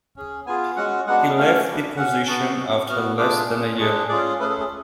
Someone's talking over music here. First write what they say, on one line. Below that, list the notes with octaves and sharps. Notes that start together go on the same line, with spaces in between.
He left the position after less than a year.
C#4 G#4
B3 F4 G#4 G#5
G#3 C#4 F#4 F#5
G#3 B3 D4 F#4 F#5
A3 C#4 F#4 F5
B3 D4 F#4
C#4 F#4 F#5
B3 F#4 A5
C#4 F#4
B3 F#4 F6
A3 D4 F4 G#4 D6
C#4 G#4
G#3 D4 G#4 C#6
C#4 F4 G#4 D5
A3 C#4 G#4 B4
A4
G#4